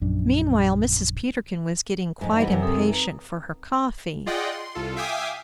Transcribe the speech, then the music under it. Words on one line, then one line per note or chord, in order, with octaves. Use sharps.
Meanwhile Mrs. Peterkin was getting quite impatient for her coffee.
A#1 F#2 D4
F2 G#2
E3 G3 D#4 C5 D5 F#5
F#2 C3
C4 A4 D#6
D#4
C4 B4 A#5
F4 G#4 D5 D#5 F#5 G5
C6
C2 F4 A4
E5 F5 G5 G#5 D6 D#6